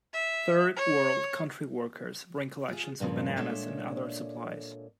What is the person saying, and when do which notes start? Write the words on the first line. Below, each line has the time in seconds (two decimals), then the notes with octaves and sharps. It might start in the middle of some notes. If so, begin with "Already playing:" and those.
Third world country workers bring collections of bananas and other supplies.
0.14 E5
0.76 C#5
2.69 F4 G#4
3.00 G2 A#2 C#3 F3
3.36 A#2 G#3 D4 A4 C#5 E5